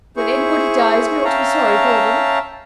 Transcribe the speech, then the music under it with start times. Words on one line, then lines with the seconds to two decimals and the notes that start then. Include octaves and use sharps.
When anybody dies we ought to be sorry for them.
0.17 E4 G#4 C5 C#6
1.25 C#4 E5 F5 G5 A5 A#5